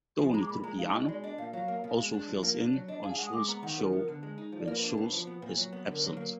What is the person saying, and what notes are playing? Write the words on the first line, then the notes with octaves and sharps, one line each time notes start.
Tony Trupiano also fills in on Schultz's show when Schultz is absent.
F3 G#5
B5
G#3 A#5
D6
A#2 B5
G#3 A#5
D#4 F5
B2 D#5
G#3 D5
D4 D#5
A#2 F5
F#3 F5
A#3
B2
G#3
D4
F3
A#3
D4
F#3
D4 D#5
G#4 F5
G#3 F#5
D#6
G#3 D6
B3 A#5
D#3 F#5
F3 A#4
B3
D3
G#3
D#4
F3
D5
A#3 B4
D4
B4
B2
F3 B4
B3
A#2
F#3
B3
D3 A#4
F#3 B4
A#3